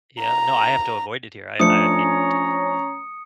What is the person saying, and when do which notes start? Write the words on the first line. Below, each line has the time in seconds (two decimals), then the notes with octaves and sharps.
Yeah, no, I have to avoid it here. I I mean, t
0.21 A#5
1.60 F3 A3 C#4 D4 C#5 A#5 D#6 C#7